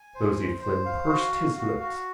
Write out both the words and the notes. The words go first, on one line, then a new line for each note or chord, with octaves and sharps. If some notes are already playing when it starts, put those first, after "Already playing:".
Nosey Flynn pursed his lips.
Already playing: G#5
C5
C5
C5
F5
F#4
F5
F#4
F#4